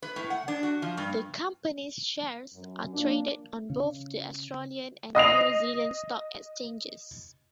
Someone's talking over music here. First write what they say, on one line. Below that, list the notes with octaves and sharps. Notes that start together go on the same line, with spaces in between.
The company's shares are traded on both the Australian and New Zealand Stock Exchanges.
B4
A2
F#5
D4
F#4
F3
G2
F#2
F3 A#3 D4
C#3
D#5 D#6 C7 F7